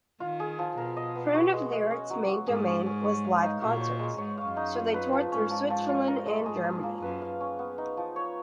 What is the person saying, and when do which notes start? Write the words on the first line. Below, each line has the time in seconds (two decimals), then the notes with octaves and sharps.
Primitive Lyrics' main domain was live concerts, so they toured through Switzerland and Germany.
0.20 D#3 F4
0.40 G#4
0.59 F3
0.77 B2 A#4
0.97 D#5
1.15 B3
1.34 F#4
1.53 G#3
1.72 G#3
1.91 C#4
2.10 F#3
2.28 F#3
2.47 G#2 G#4
2.67 C#4
2.86 C#4
3.05 C#5
3.24 F5
3.43 D#4
3.61 A#2 F#4
3.81 C#5
3.99 G#3
4.18 G#2 C#5
4.38 F5
4.47 F#2
4.57 D#4
4.75 F4
4.94 B4
5.13 F3
5.32 G#2 C#4
5.50 F3
5.70 F3
5.89 F4
6.08 A#4
6.27 G#3
6.46 G#2 G#4
6.64 A#3
6.83 A#3
7.02 F#2 B4
7.22 F5
7.40 C#4
7.59 B3
7.78 D#4
7.97 F3
8.16 C#5